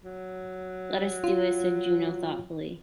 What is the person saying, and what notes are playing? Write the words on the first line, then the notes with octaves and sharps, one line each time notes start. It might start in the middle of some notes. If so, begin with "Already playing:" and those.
"Let us do it," said Juno thoughtfully.
F#3
F4